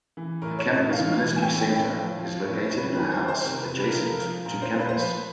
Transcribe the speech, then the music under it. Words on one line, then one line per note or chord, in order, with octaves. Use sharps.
The Campus Ministry Center is located in a house adjacent to campus.
E3
A2 A#4
C#5
A2
D#5
E3 F5
E3
G#5
A2 G5
G5
A2
G5
F3
F3
A2
A2
B4
D#3 B4
C5
D#3
C5
C3 A#4
B4
C3
B4
A#4
F3 A4
A#4
F3
A#2 A#4
C5
A#2
B4
C5
F3 B4